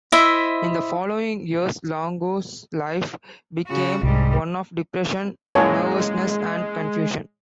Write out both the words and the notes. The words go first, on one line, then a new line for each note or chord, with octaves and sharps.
In the following years, Longo's life became one of "depression, nervousness, and confusion".
E4 C5 D#5 E5
C#3 F#4
C2 G#2 G3
F#2 A#2 E3 G#3 C#5 F5 G#5 A5